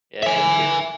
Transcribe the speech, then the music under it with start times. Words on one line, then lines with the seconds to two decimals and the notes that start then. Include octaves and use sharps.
Yeah, yeah, you too.
0.23 E5 G#5